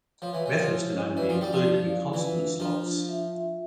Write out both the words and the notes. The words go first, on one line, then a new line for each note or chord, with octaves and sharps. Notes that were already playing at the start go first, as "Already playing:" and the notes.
Methods can only be included in constant slots.
F3 C#5
E3
E3 C#5
F3
E4
C#4
E3 D5
F3
G3 D5
F3
E4
F5
E3 F4
D4
F3 D4
F4
E5
E5